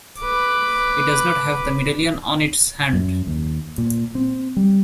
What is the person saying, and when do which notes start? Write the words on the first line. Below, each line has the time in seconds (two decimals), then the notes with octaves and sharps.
It does not have the medallion on its hand.
0.19 B4 D6
2.93 F#2
3.27 D#2
3.78 A#2
4.15 C4
4.57 G3